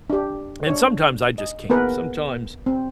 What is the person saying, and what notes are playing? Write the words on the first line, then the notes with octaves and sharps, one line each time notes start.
and sometimes I just can't, sometimes,
D4 G4
D4 C#5
D#5
A#3 B3 G#4 A#4 B4
C4